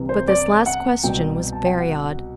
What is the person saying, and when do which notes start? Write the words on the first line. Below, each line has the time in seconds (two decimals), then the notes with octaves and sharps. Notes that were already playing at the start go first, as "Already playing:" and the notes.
But this last question was very odd.
Already playing: C2 C3 E3
0.09 C5
0.28 D5
0.66 F#5
1.03 C2 B2 F#3 G5
1.53 A5
1.66 G5
1.79 F#5